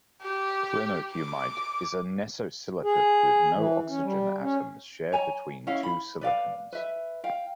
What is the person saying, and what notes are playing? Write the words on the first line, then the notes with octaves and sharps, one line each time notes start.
Clinohumite is a nesosilicate with no oxygen atoms shared between two silicons.
G4
D6
G#4
E3
C#4
G3
C#4
C#5 G#5 A#5
C#4 E4 F5
B5
B4 D5 F5
B4 E5
F5 G5